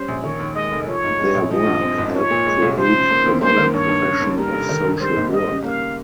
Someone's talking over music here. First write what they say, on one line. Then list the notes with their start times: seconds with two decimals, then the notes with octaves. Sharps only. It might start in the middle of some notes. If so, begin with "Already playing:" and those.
Their work helped create the modern profession of social work.
Already playing: G3 C#4 C5
0.08 A#1
0.24 D#3 C#5
0.39 D#2
0.55 G#3 D#5
0.71 F1
0.87 F3 C#5
1.04 G#2
1.19 G#3
1.35 A#1
1.51 F3 D#5
1.67 G2
1.82 C4
1.98 G#1
2.15 F3 C#5
2.30 A#2
2.46 G#3
2.62 C2
2.78 F3 C5
2.93 C#3
3.10 A#3
3.26 D#2
3.41 A#3 C5
3.58 D#3
3.73 G2 C#5
3.89 G2
4.05 C#3
4.20 D#2
4.37 G3 A#4
4.53 F1
4.69 D#3
4.85 G2
5.00 G3 C5
5.16 G#1
5.32 G3 D#5
5.48 C#3
5.64 A#3 F5